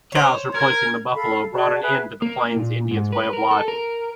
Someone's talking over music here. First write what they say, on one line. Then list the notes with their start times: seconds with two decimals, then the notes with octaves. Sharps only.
Cows replacing the buffalo brought an end to the plains Indians way of life.
0.12 C5 C#5
0.54 A#4 G#6
1.14 A4 F5 B5
1.52 F#4 G#4 D5 A5
1.82 G#4 B4 E5 F#6
2.22 A#3
2.56 A#2
2.91 G#2
3.12 B4
3.33 A#4
3.51 A4
3.68 A#4